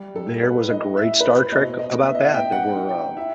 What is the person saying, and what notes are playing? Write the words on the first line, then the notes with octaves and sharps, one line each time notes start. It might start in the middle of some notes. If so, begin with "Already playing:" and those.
There was a great Star Trek about that. There were, uh
Already playing: G3
A4
A2
B4
A2 D#5
E5
A2
B4
C5
B2 D#5
D#5
B3
E5
D#5
E5
B3 G5
F#5
G5
D#4
G5
E4 E5